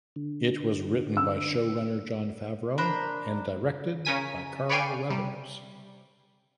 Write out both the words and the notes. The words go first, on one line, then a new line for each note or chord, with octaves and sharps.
It was written by showrunner Jon Favreau and directed by Carl Weathers.
D3
E6
D4 A#4 C5 B5
C#3 C#4 A#4 G#5 B6 D#7
B4 C#5 D5 F5 G5 G#5
C3 G3